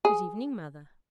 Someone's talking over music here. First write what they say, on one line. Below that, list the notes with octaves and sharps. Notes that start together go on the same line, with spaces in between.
'Good evening, Mother.'
G#4